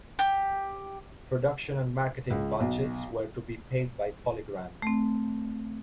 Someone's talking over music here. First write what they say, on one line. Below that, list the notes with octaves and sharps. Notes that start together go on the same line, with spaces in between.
Production and marketing budgets were to be paid by Polygram.
G4
C#2
B1
A3 C4